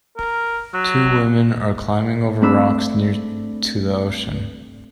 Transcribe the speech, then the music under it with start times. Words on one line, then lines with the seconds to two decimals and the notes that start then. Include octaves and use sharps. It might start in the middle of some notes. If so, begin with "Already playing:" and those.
Two women are climbing over rocks near to the ocean.
0.17 A#4
0.74 F#3
2.42 A3 C4 D4 B5 E6